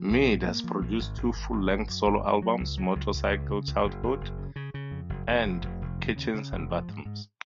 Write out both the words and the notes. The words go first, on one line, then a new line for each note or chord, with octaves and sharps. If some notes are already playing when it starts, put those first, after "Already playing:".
Meade has produced two full-length solo albums: "Motorcycle Childhood" and "Kitchens and Bathrooms".
Already playing: F3
A#1
G#2
A#3
F3
A#1
G#1
G#1
G#1
G#1
G#1
F#2
G#1
F#2
F#3
C#2
F#3
C#2
C#2
C#2
C#3
C#2
F#1
F#1
F#1
C#3
C#3
C#3
F2
F#1
F1
F1
F1
F1
D#2
C#3
C#3
F1
F3
G#2
G#2